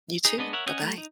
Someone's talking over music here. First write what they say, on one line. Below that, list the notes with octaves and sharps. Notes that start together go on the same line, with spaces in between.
You too. Bye-bye.
D#4 G#4
G#3 B3 D4 D#5
A#4 C#5 E5 F#5
C#4 D#5 F#5 G#5
A3
D#4